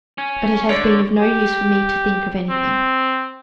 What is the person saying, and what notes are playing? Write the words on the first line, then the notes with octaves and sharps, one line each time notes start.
But it has been of no use for me to think of anything.
C#4
D3 C#5 D5
G4
C4